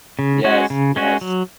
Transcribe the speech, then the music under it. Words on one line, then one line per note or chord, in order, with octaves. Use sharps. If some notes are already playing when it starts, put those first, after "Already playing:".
Yes, yes.
C#3
G#3 C#4 F#4
C#3
G#3 C#4 F#4
F#3